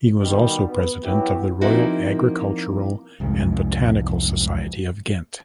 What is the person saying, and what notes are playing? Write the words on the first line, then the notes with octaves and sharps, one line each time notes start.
He was also president of the Royal Agricultural and Botanical Society of Ghent.
B2 D#3 G3
B3
E3 F#3 B3 E4 F#4 G4
F3 A#3 C4 D#4 E4 F#4
C2 F2 G#2 G#3